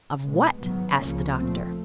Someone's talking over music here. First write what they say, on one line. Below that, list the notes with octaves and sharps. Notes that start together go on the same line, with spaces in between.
"Of what?" asked the Doctor.
B2 G#3 B3
G#2 D#3 F#3 B3
C#2 C#3 F3 A#3 C#4
A#2 F3 A3 C4